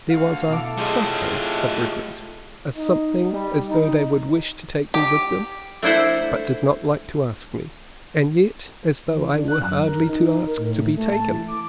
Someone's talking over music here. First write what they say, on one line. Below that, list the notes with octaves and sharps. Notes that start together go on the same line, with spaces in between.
There was a something of regret, a something as though they would wish to take me with them, but did not like to ask me, and yet as though I were hardly to ask to be taken.
D2 F#4 F5
B2 E4 A4 D6
A3 C4 C#4 F4 G4 G#4 D#5 F5
D#4
G3
D#4
G4
A3 D4 E4 C5 F#5
E3
D4
F#6
F#2
A#4
D#4
A#4
A2
A3
A5
E3
D6